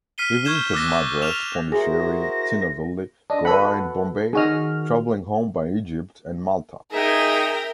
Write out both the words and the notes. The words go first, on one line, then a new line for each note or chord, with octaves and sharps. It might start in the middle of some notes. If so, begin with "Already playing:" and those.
He visited Madras, Pondicherry, Tinnevelly, Goa and Bombay, travelling home by Egypt and Malta.
F6 B6 C7 D#7 G7
C#6 F6 G6 G#6 E7 G7
D6 E6 F#6 A6 A#6
F6 E7 F7
E4 F#4 G#4 A#4 C5 A#6
D4 D#5
F#4 A4 B4 F#5 B5
D#3 F#4 G#4 D#5 F6
D#4 G#4 A#4 E5 G5